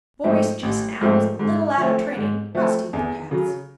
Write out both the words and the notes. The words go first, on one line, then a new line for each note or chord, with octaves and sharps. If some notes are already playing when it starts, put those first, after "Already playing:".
"Voice, just now, is a little out of training; rusty, perhaps."
G#2 F3 A3 C4
A1
G#2 F3 A3 C4
G#2
F3 A3 C4
G#2
F3 A3 C4
E2
C#3 F#3